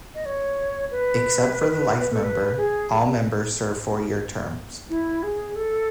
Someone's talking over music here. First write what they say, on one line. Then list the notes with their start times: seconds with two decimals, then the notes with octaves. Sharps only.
Except for the life member, all members served four-year terms.
0.15 D#5
0.25 C#5
0.91 B4
2.13 A4
2.24 B4
2.57 G#4
4.90 E4
5.23 G#4
5.56 A4